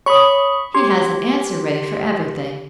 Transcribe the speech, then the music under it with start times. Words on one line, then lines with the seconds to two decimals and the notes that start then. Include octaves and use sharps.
He has an answer ready for everything.
0.06 C#5 B5 C#6 D#6
0.74 G4 C6